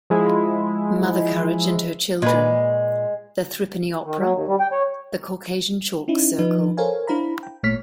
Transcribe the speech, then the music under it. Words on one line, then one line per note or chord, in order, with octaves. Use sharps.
"Mother Courage and Her Children", "The Threepenny Opera", "The Caucasian Chalk Circle".
F3 G#3 E4
A#2 G#3 B4
D#3
F#3
D#2
G3
G5
C#5
C#4 D#4 E4
F3 D#4 B4
A4 A#4 C5 C#5 F5 G#5
D4 E4 C5 F5 A#5 B5
G5
G#1 A#2 A3 C#5 F6 B6